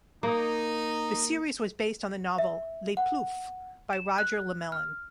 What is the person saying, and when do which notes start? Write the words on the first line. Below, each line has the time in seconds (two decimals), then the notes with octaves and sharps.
The series was based on the novel "Les Plouffe", by Roger Lemelin.
0.23 A#3 D#4
2.38 E5
2.97 F#5
3.93 E7
4.18 F#6
4.72 F6